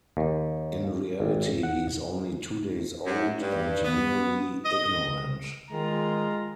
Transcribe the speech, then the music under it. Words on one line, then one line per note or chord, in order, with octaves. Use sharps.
In reality, he is only two days old and merely ignorant.
D#2
G#1
F#5
F#2
G2
B3
D#5
D#3 G#3 F4 A#5